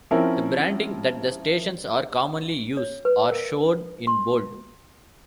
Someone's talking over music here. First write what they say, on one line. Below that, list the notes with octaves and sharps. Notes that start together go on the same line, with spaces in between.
The branding that the stations are commonly use are shown in bold.
F3 C4 C#4 E4 A#4
C#5
B4
A#4
C6